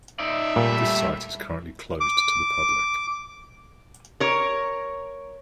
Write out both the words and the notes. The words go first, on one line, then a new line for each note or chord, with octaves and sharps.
This site is currently closed to the public.
D#4 D5 E5
A#2 G3 A3
D6
A#4 C#5